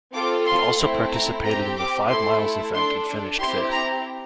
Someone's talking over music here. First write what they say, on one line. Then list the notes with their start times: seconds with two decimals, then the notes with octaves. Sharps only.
He also participated in the five miles event and finished fifth.
0.14 C4 F4 A4 D6
0.46 C6
0.79 A3 C4 E4
1.12 A#5
1.44 C4 G4 A#5
1.77 D6
2.08 A3 E4 A4 C6
2.74 D4 A4 C6
3.38 C4 E4 G4 C6
3.71 A#5